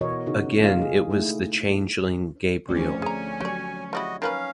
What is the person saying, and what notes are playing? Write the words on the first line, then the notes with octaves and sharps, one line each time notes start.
Again it was the changeling Gabriel.
B2 E3 F#4 A#4 C#5 D#5
C#3 D#4 F#4 A#4
G#3 A#3 F4 D#5 F5
G#4
A3 D#4 E4
D2 F3 C4 C#4 D5
G#4 G#5 A#5
F#3 G4 C#5 D5
C#3 G3 E4 F#4 D#5
D#3 A#3 C#4 B4 F5